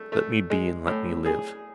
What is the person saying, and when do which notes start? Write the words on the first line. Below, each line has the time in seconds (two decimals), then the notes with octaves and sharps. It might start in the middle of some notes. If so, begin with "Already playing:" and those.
Let me be and let me live.
Already playing: A3
0.12 A3
0.50 G#3
0.87 A2
1.25 G#4